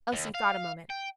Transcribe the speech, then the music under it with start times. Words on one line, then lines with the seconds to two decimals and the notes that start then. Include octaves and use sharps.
Elsie thought a moment.
0.13 D#2
0.35 F5
0.90 G5